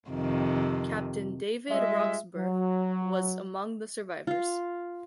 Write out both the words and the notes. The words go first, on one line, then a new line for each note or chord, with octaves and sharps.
Captain David Roxburgh was among the survivors.
F2 C3 D#3
G3 G#3 F4 D#5 E5
F#3
F4 F5